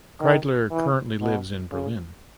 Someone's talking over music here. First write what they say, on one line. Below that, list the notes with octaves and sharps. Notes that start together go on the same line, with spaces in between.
Kreidler currently lives in Berlin.
D#3
E3
B2
C#3